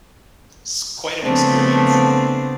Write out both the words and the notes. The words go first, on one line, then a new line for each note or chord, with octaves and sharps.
It's quite an experience.
C#3 F3 A3 B3 C4 D4